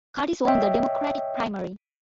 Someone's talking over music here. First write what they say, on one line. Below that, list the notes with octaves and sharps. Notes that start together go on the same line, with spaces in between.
Curtis won the Democratic primary.
C#5 D#5 E5 G5